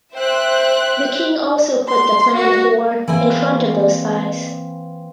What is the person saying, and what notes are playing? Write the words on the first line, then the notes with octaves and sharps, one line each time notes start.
The king also put the plan of war in front of those spies.
C5 E5 G5 F#6
C6
F#4
E3 A#3 C4 G#5